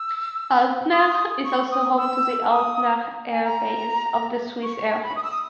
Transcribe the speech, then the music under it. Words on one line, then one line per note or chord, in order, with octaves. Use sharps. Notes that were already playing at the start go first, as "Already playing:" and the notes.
Alpnach is also home to the Alpnach Air Base of the Swiss Air Force.
Already playing: E6
D#6
C#6
D#6
E6
D#6
G#5
A#5
C#6
C#6
C#6
B5
D#6
E6
D#6